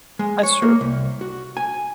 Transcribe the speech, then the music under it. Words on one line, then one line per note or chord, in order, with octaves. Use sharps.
that's true.
G#3
C#5
A#3
C2
F#4
G#5